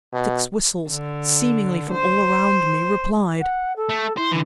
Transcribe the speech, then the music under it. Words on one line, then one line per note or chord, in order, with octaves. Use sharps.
Six whistles--seemingly from all around me--replied!
B2
D3
C5
F#5
A4
A3
E4 C5
D3 E3